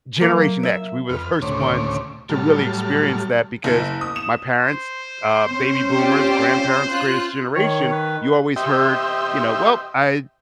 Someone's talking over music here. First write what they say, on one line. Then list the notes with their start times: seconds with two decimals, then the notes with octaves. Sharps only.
Generation X. We were the first ones to really experience that, because my parents uh, baby boomers, grandparents- greatest generation you always heard, you know, "Well, I
0.21 F#3 A#3
0.63 E5
1.09 F2 B4 F6
1.42 D2 A2 C#3 C5 C#5 D6
2.29 A2 F#3 G3 A5 F6
3.64 F#1
4.01 D#6
4.16 E7
4.60 C5
5.48 C4 C#4
5.96 F4 G4 D5
6.87 F4 F#6
7.55 D#3 C#5
7.92 B4
8.56 G4 C5 D#5 E5 G5